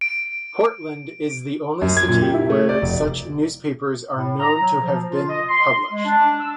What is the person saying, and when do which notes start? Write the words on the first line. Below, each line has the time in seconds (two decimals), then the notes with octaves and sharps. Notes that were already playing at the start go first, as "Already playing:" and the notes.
Portland is the only city where such newspapers are known to have been published.
0.01 D7
1.81 F#2
1.97 G#6
2.08 A#2
2.22 G4
2.34 E4
2.50 A3
2.69 D5
2.82 F1
4.15 A2
4.40 A#5
4.60 F#3
4.82 F3
5.11 F4
5.29 D#5
5.49 C6
5.91 G#3
6.05 D4
6.40 E6